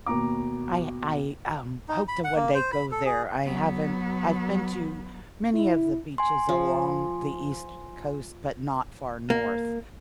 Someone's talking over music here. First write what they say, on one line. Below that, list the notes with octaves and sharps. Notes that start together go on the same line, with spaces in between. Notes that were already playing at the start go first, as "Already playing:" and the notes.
I I, um, hope to one day go there, I haven't I've been to many of the beaches along the East Coast, but not far north
D#2 B2 A#5 D6
D#4
B5
F#5
A#3
C5
B5
A4
G#4
F#3 B3
E4
G#5 C6
F3
A#3